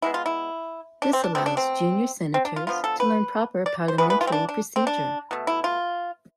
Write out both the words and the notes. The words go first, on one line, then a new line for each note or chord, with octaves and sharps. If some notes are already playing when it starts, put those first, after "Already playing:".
This allows junior senators to learn proper parliamentary procedure.
B2 G#3 B3 E4
F4
E4
D4
C4
D4
B2 A3 C4
D4
C4
C4
D4
F4
D3 F3 B3 F4
A4
B4
D5
C5
E3 G#3 B3 B4
B4
F4
C4
D4
D4
C4
D4
B2 A3
E4
F4